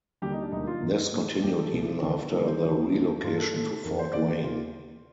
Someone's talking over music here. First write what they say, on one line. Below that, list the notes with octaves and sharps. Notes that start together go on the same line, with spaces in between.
This continued even after the relocation to Fort Wayne.
D#2 D3 G3 G4
D#4
D4
D2 D3 G3 A#3 D#4
F4
G2 D#3 A#3 D#4
A2 A3
F2 D#3 A3 G4
A4
C2 C3 D#3 A3
D2 D3 F3
D#2 D3 G3 A#3 A#4
C5
D#2 D3 F3
D#2 D3 F3 A3
G2 D#3 A#3 F4
A4
A2 A3
F2 D#3 A#3 A#4
C5
D#2 D3 A3 D5
G4
D#2 D#3 A#3 F4